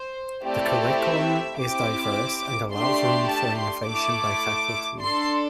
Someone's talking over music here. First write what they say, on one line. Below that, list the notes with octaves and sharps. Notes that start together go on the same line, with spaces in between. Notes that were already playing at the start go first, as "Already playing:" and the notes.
The curriculum is diverse and allows room for innovation by faculty.
Already playing: C5
A3 C4 E4 G4 D5
E5
C4 E4 G4 D6
A3 D4 G4 C6
A5
C6
A3 E4 A4 D6
D4 A4 C6